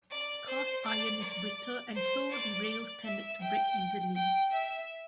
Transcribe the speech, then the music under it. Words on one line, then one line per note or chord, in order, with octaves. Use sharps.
Cast iron is brittle and so the rails tended to break easily.
D5
C5
D5
D5
C5
D5
E5
G5
G5
E5